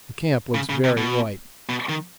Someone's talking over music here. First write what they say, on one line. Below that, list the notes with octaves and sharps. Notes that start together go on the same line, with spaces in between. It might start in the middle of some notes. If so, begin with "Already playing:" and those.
The camp looks very white.
C#3
C#3
C3
B2
B2
D#3